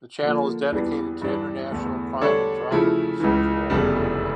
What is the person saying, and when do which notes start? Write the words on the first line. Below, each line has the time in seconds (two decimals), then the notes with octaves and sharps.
The channel is dedicated to international crime and drama procedural programing.
0.22 D3 F3 A#3
0.72 E2 E3 G3 D4
1.22 G2 E3 G3 D4
1.71 E2 D3 A3
2.21 D3 G3 D4 A4 C#5
2.71 C#3 F3 A3 E4
3.20 C#2 C#3 E3
3.70 F1 E2 C#3 G3 D4